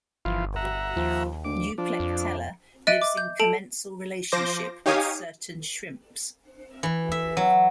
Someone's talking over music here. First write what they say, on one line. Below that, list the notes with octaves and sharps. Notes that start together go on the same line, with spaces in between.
Euplectella lives in commensal relationship with certain shrimps.
G1 E3 F3 F4
E5 F#5 A#5
D#2 F3
D2 D6
F3 D4
F2
D#5 E5 F#6 A6 D7 D#7
D6
G6
A4 A5 D7 F7
F3 C5 D6 A#6
D#4 G4 C#5 F5 G#5 D#6
E3
E5
F#3